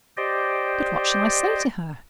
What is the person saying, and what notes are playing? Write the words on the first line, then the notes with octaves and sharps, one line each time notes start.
"But what shall I say to her?"
G4 C5 D5 D#5 G5